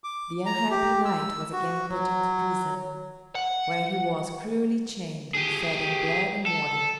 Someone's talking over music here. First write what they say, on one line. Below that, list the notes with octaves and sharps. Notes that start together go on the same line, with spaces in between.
The unhappy knight was again put into prison, where he was cruelly chained and fed on bread and water.
D6
A#5
G4
E6
F#4
F#3
F#5
G4 G#4
A4